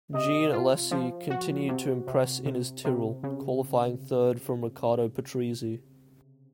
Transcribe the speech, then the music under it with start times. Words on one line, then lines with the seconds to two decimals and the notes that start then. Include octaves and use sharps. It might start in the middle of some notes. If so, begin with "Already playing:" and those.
Jean Alesi continued to impress in his Tyrrell, qualifying third from Riccardo Patrese.
0.14 C3 D#5
0.53 F4
0.91 F3
1.30 F#4
1.68 C3
2.07 C3
2.46 C3
2.85 C3
3.23 C#3